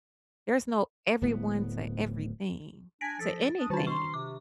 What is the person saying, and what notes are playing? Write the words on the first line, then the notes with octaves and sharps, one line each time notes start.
There's no everyone to everything to anything.
D1 A2 B3
D4 G#5 A#6 B6 D7
F3 A4 A6
D4 D#6
D#3 D4 F4 F#4 A5
C6 C#6
C3 D6